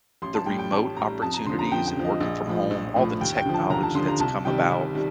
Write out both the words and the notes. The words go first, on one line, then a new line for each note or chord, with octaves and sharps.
the remote opportunities and working from home, all the technology that's come about,
A1 C6
A5
A2 G3 G5
G5
A1 A5
A2 G3 A#5
F2 A5
A#5
D3 F3 C6
A#5
F2 G5
G5
D3 F3
D#5
A#1
A2 F3
A#1
A2 F3
D#2 G5
G5
D3 F3
A5
D#2 A#5
A5
D3 F3 C6
A#5
C2 A5
C3 D#3 G3 G5
C2
D#3 G3